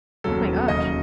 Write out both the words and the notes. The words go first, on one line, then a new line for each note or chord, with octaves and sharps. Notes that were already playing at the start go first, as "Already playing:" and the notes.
My gosh.
E1 D#2 C#3 F#3 A4
E1 D#2 C#3 F#3 D#5